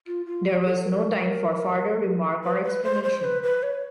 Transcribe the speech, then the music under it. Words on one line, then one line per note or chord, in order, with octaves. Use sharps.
There was no time for farther remark or explanation.
F4
F4
G4
A4
B4
A#4
B4
B4
C5
C5
B4
B4
C#5